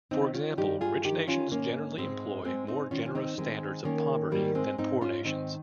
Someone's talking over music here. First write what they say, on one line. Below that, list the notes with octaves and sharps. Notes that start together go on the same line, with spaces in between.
For example, rich nations generally employ more generous standards of poverty than poor nations.
D#3 C4 D#4
C#4 F4
G2 D#4 G4
F4 G#4
D#3 D#4 G4
C#4 F4
G#2 A#3 C#4
G#2 G#3 C4
G#2 G#3 C4
C4 D#4
D#3 C#4 F4
C#4
C4 D#4
D#3 G#3 C4
D#3 A#3 C#4
G#2 G3 A#3
G#3 C4
G#2 C4 D#4
C#4 F4
D#3 C4 D#4